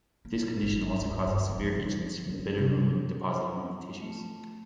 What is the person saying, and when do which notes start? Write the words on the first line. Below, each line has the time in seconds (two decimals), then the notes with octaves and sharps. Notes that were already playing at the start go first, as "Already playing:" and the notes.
This condition also causes severe itchiness from the bilirubin deposited in the tissues.
0.25 A#3
0.63 G#1
1.01 D2
1.26 G2
1.49 F3
1.64 F2
1.75 D3
2.29 C4
2.58 C3
4.01 A3